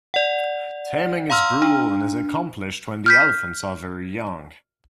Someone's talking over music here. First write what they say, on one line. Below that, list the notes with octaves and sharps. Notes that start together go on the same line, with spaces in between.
Taming is brutal and is accomplished when the elephants are very young.
D5 F#5
F5 A#5 C6 E6 F6
D4
F6 G6 B6